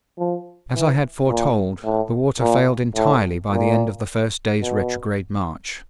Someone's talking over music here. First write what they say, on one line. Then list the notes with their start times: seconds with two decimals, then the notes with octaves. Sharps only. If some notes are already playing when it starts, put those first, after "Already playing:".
As I had foretold, the water failed entirely by the end of the first day's retrograde march.
0.18 F3
0.74 E3
1.29 A#2
1.84 A2
2.40 A#2
2.95 A2
3.51 A#2
4.62 B2